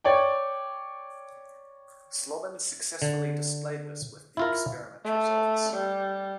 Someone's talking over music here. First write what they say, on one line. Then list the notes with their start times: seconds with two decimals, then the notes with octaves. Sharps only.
Slobin successfully displayed this with the experiment results.
0.04 C#5 D5 G5
3.02 D3
4.37 E4 F4 A#4
5.04 A3
5.73 G3